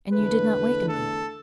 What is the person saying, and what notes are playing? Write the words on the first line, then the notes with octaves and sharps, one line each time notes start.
"And you did not awaken me?"
E2 D3 A3 B4
A4